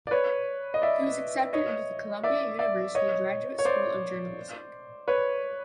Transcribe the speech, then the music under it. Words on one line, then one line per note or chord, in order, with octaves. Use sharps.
He was accepted into the Columbia University Graduate School of Journalism.
D5
B4 C#5
D#5
D5 E5
C#5 D#5
D5 E5
D5 E5
C#5 D#5
C#5
C5 D5
B4 C#5